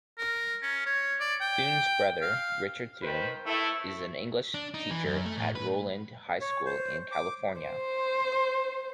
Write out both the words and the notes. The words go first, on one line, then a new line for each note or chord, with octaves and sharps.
Thune's brother, Richard Thune, is an English teacher at Rowland High School in California.
A#4
C#4
C#5
D5
G5
F5
D#3 B4 C5
A3 E4
D4
D#4
E3
F#2
A3
A2
B4
C#5
C5
D6
C5